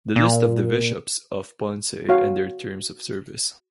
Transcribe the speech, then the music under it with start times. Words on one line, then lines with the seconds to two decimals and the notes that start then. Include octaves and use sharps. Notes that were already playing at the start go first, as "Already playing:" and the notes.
The list of the bishops of Ponce and their terms of service.
0.16 A#2
2.09 F#4 C#5 F5